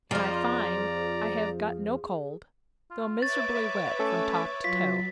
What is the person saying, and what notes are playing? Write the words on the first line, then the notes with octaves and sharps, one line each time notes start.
And I find I have got no cold, though miserably wet from top to toe.
F2 G#2 F3 F4 G#4 D5 A#5
F4
B4 C#5 E5 D6 A6
A3 C#4 A4
F#3 F4 B6